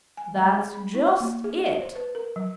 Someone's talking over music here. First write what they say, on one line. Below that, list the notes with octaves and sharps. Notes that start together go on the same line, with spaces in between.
'That's just it.
G#5
G#3
G#4
B5
E4
A#3
G#4
C5
B4
A#4
F#3